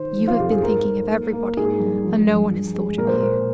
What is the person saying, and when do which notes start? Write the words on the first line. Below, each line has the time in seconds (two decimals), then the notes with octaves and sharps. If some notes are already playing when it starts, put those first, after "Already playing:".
'You have been thinking of everybody, and no one has thought of you.
Already playing: D#3 C5
0.17 F3
0.28 F4
0.39 F2 G4
0.52 G#4
0.63 G#2 A#4
0.86 G#2
1.10 A#3
1.33 A#3
1.57 G#2 G#4
1.80 G3
2.04 F3
2.27 G2
2.51 F3
2.75 G#3
2.97 A#2 A#4
3.07 C5
3.17 A#2 A#4